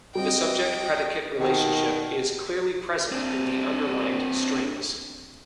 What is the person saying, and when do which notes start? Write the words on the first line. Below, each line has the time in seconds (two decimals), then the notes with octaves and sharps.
The subject-predicate relationship is clearly present in the underlined strings.
0.15 G3 C4 F#4 D#5 G5
1.39 B2 D#3
3.12 C4 D4